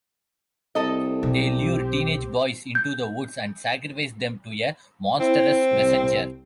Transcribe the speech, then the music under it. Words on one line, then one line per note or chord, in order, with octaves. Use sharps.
They lure teenage boys into the woods and sacrifice them to a monstrous messenger.
C2 A4 D#5
B1 C4 G4
G6
C4 E4
C2